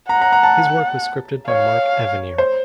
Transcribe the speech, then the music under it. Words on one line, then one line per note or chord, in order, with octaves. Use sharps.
His work was scripted by Mark Evanier.
F#5 A#5
A#5
A#5
A5
C#5 F5
C5